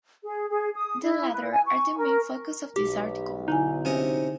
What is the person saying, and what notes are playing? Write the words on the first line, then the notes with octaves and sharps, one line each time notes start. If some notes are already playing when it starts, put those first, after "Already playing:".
The latter are the main focus of this article.
G#4
G#4
D#6
E4
B4
G#5
C#6
A#4
B1 G4
D3 D#4 E4 G#5
C3 C#4 D#5